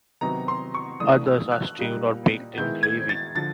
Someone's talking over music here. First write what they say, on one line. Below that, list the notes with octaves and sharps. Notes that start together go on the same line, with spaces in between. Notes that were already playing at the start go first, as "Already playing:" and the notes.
Others are stewed or baked in gravy.
C3 D#3 F#3 B3 D#4 A#5
C6
C#6
C#3 E3 A3 D4 D#6
E6
F#6
A#2 G3 A#3 D#4
D#3 G#3 B3 E4 G6
G#6
A6
D3 F3 A6